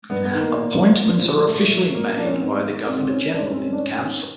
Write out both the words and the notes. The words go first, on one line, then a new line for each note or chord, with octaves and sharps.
Appointments are officially made by the Governor-General in Council.
G2 B3
B3
D#3
A#3
A#2
F3
A#2
F3
A#2 A3
F3
A#2 A#3
F3 D4
C#4
C4
G#2 B3
D#3
G#2 C4
D#3 C#4
G#2 D4
C#4
C4
D#3 C#4
D4
G#2 C#4
D#3